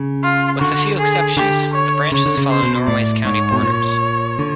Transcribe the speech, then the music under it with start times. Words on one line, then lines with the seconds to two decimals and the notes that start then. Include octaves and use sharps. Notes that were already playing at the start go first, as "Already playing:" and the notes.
With a few exceptions the branches follow Norway's county borders.
Already playing: C#3
0.23 F4
0.61 D3 F#4
0.98 G#4
1.37 D3 G4
1.74 C#5
2.12 C#3 C#5
2.26 D3
2.38 C#3
2.50 C5
2.63 B2
2.87 A2 D5
3.25 G#2 C#5
3.52 B2
3.63 A#2
4.39 D3